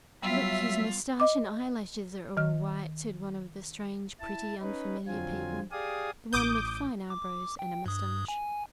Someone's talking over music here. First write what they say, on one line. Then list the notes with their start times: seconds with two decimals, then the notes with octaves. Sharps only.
"Look, his mustache and eyelashes are all white!" said one of the strange, pretty, unfamiliar people--the one with fine eyebrows and mustache.
0.23 F#3 G3 B3 F4 E5
1.20 D#5 D6
2.37 D#3 F6
4.20 E4 A5
4.61 C#4 D#4 B4
5.07 F2 D3 F#3 C4 F4 G#5
5.72 G4 G#4 D5 F5 G#5 D#6
6.33 A1 A2 D6 D#6 G6
7.10 D6
7.59 G5
7.86 G2 D#6
8.28 G#5